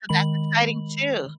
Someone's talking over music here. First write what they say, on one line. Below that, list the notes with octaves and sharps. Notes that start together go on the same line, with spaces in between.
So, that's exciting too.
D#3 G#3 B5 F#7